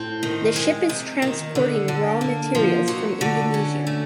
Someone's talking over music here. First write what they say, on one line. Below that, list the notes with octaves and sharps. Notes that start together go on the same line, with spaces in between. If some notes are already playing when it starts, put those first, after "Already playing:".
The ship is transporting raw materials from Indonesia.
Already playing: A2 C4
D#3
G#3
C3
D#3
D3
D3
A#3
F3
F#3
D3
C#4
A3